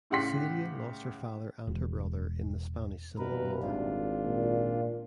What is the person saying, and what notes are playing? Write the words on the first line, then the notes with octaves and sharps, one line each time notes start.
Celia lost her father and her brother in the Spanish Civil War.
A2 C#3 G4 F#5 C6 B6
E1
D#1 B2 A#4 B4
G#1 D4 F4
A#2